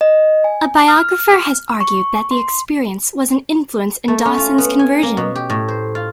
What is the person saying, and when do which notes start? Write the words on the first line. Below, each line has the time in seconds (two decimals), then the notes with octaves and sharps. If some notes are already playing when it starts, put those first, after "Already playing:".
A biographer has argued that the experience was an influence in Dawson's conversion.
0.01 D#5
0.44 G#5
0.88 F6
1.80 C#6
2.31 C6
4.08 A3
4.25 C#4
4.38 F4
4.58 B3
4.79 G#5
5.03 A#3
5.17 B2
5.35 G4
5.50 A2
5.68 C5
5.95 F4